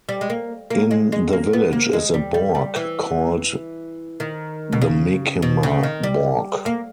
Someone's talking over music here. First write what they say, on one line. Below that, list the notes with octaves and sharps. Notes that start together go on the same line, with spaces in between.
In the village is a "borg" called the Menkemaborg.
G3
G#3
A#3
A#3
G#3
G#3
A#3
B3
A#3
G#3
G3
G3
G3
E3
D#3
B2
C#3
B2
C#3
D#3
G3
A#3